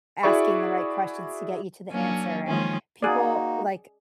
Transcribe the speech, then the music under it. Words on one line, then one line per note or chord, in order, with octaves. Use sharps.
asking the right questions to get you to the answer, and people, like
E4 F#4 G#4 D5 E5 C#6
F#3 A#3 C#4 D4
D#3 F3 G#3 A#3 C#4 F4
A#3 D#4 F#4 G#4 D5